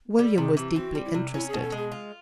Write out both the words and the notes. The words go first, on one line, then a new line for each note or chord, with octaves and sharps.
William was deeply interested.
G3 A4
C3 G#4
E3 G4
C4 F#4
G3
E4
C3
C#4 E4
G#4
B2
A4
G#3 G#4
F4